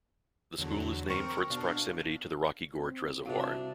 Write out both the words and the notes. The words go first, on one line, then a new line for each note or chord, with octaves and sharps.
The school is named for its proximity to the Rocky Gorge Reservoir.
E2 D3 F#3
C4 A#4 C#6
B2 D4 F5
C4
C2 C3 D4 F4 F#4 F5